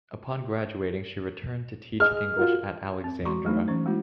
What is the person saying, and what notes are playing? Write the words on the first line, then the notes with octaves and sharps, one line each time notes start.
Upon graduating, she returned to teach English at Alexandra.
G#4 D#5 F6
F4 F#4 A#4
C4
G#3 F#4 A#5 C6 C#6
F#3 A3 D4 D#4
E3 C#4 C5
G#3 A#3 E4 F#4